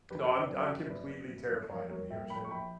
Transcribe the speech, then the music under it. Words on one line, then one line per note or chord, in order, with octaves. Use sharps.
No, I'm I'm completely terrified of the ocean.
F#1 G4 B4
C#3
B4 D5
F#2
G4
F#1
F#1 B4 D5
C#3
F#2
F#1
A#1 A#4 C#5
G3 A#4 C#5
A#2 E5 G5
A#1 G5 B5
C#6
A#1 G5 B5